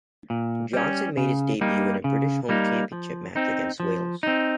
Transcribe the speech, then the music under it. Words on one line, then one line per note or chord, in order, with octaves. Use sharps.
Johnstone made his debut in a British Home Championship match against Wales.
A#2
G3 C#4
C#3
G3 A#3 D#4
C#3
G3 A#3 D#4
F3
C4 D#4
F3
C4 D#4